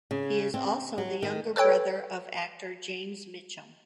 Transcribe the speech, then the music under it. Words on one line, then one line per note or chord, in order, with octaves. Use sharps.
He is also the younger brother of actor James Mitchum.
C#3
C4
F#3
D#3
A4 B4 C#5 G5